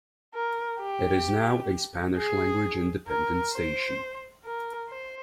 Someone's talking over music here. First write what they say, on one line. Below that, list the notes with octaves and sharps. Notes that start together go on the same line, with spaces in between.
It is now a Spanish-language independent station.
A#4
G4
G#4
A#4
C5
A#4
C5